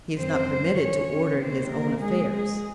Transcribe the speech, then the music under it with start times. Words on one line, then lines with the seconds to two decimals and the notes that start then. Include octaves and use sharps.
He is not permitted to order his own affairs.
0.16 F#2 C#3 G#3 C4 C5
0.77 C#4 C#5
1.39 C3 D#3 A#3 C4 C5
1.69 A#3 A#4
2.00 G#3 G#4
2.31 G#3 G#4